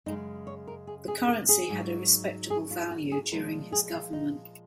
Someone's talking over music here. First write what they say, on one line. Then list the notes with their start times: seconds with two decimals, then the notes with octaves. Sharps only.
The currency had a respectable value during his government.
0.06 F#2 C#3 G#3 D#4
0.47 C#5
0.67 A#4
0.87 G#4
1.08 G#4
1.28 A#4
1.49 G#4
1.69 G#2 F#3
2.50 G#4
2.71 F4
2.91 F#4
3.12 G#4
3.32 A#2 F3 G#3 A#4
3.72 G#4
3.93 F4
4.13 D#4